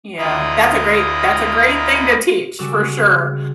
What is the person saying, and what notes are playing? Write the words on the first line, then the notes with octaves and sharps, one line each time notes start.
Yeah, that's a great that's a great thing to teach for sure.
D2 E4 F4 D#5 A#5 B5
C#3 G3 F#4 C#5 D6 E6